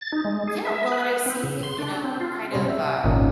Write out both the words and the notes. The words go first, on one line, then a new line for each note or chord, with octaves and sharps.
Yeah, well, and I see, you know, kind of, um,
A6
D#4
G#3
G#4
E5
B4
C4
C#3
C6
D4
C4
F4
C3 G3 G#3 C#4 G#4 C5
E5
G#1 C#2 A#2 C#4 D#4 D5